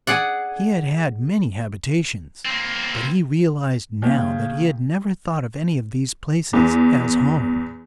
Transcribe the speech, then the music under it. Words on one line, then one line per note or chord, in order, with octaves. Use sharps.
He had had many habitations, but he realized now that he had never thought of any of these places as home.
G#4 D5 F#5
A#3 C4
D#2 C#3
E2